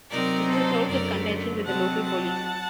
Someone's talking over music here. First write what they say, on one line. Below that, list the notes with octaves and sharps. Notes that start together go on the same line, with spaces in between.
This is a source of contention with the local police.
C3 F#3 C4 D#4 A#4 D5
A4 C5
F#2 D3 A3 A#4 D5
C3 F#3 C4 D#4 F#5 A5
F#5 A5